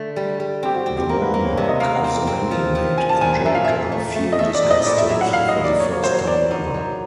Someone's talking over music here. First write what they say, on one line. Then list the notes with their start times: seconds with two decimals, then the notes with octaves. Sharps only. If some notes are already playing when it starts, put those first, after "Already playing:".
The warm hug of the nanny made Angelika feel disgusted for the first time ever.
Already playing: D3 A3
0.16 G3
0.40 G3
0.63 C4 G4
0.75 F#4
0.86 C4 G4
0.98 G4
1.09 A#3 A#4
1.22 B4
1.34 A#3
1.45 C#5
1.57 C3 D5
1.69 D#5
1.80 A#3 F5
1.96 F#5
2.04 C4 G5
2.27 C4
2.51 F3
2.75 F3
2.98 F3 G#5
3.09 A5
3.21 A#2 G#5
3.33 A5
3.45 A#2 E5
3.55 F5
3.64 A#2 E5
3.92 A3
4.15 A3
4.32 D#5
4.39 A3 E5
4.54 D5
4.63 A#2
4.70 D#5
4.86 A2 D5
4.98 E5
5.09 F#3 E5
5.21 F#5
5.33 F#3 F5
5.49 D#5
5.57 A#3
5.64 D5
5.79 F#3 C#5
5.92 C#5
6.03 F#3 C5
6.15 C#5
6.27 F#3 D5
6.51 D#4
6.74 F#3